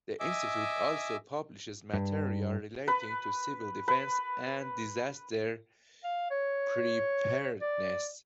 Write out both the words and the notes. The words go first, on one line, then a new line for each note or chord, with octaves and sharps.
The institute also publishes material relating to civil defense and disaster preparedness.
D#5 E5 G#5 D6 E6
G2
B4
B4
F5
C#5
D5